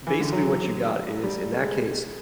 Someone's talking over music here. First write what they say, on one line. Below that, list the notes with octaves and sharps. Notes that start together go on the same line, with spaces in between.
basically what you got is, in that case,
E3
D3
F#3
G3
A3
G#3